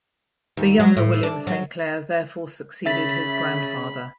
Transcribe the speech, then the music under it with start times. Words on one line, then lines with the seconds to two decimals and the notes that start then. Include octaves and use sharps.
The younger William St Clair therefore succeeded his grandfather.
0.57 D#2
0.80 F#3
0.97 A2
1.23 D4
1.47 F#3
2.86 C#3 E5 B5 A6 B6